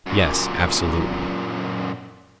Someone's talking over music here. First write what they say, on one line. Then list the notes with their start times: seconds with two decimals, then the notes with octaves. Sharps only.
"Yes; absolutely."
0.06 F#2 A#2